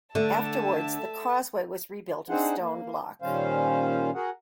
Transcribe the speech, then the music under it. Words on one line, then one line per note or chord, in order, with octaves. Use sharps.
Afterwards, the causeway was rebuilt of stone block.
D3 A3 E5 A5
C4 D4 D#4 G#4 C5 F#5
A#3
A#2 D#3 G3 C#4 C5 F5
F#4 G#4 A#4 F#5